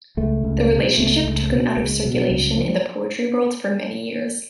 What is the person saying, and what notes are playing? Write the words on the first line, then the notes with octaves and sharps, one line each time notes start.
The relationship took him out of circulation in the poetry world for many years.
C#2 A3
C#2
B2
C#2 A3
C#2
B2
C#2 G#3
B2
F#3
C#2
F3